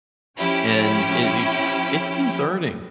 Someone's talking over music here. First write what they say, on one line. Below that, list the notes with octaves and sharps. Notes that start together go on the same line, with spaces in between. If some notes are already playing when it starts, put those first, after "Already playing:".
and it it's it's concerning,
F3 C#4 E4 G4